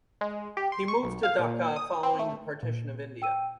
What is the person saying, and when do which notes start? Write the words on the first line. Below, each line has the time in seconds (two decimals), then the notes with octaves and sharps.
He moved to Dhaka following the Partition of India.
0.21 G#3
0.57 G4
0.72 C6
0.88 C#6
1.03 B1
1.23 F5
1.39 A#2
1.76 D#6
2.03 C4
2.19 A3
2.63 A#2
3.22 G5 E6 D#7